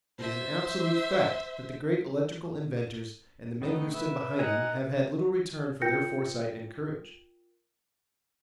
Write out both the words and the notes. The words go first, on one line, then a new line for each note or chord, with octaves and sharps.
It is an absolute fact that the great electrical inventors and the men who stood behind them have had little return for their foresight and courage.
C5 E5
D#3 A3 B3 D#4 B4
B4 E5
D#4 A#4 F#5 G#5 A#5
F4 A#4 G5 G6 A#6 C#7